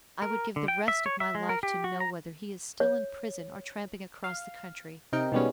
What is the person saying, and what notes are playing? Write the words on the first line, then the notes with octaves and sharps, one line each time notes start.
I would give the rest of my life to know whether he is still in prison or tramping across the country.
A#4
D3
G5
E5
C#5
E5
G#3
A#4
G4
F#4
A#5
C#5
F5
C3 D#4 A#4 G5
B2 D#3 G3 G#3 B3 C#4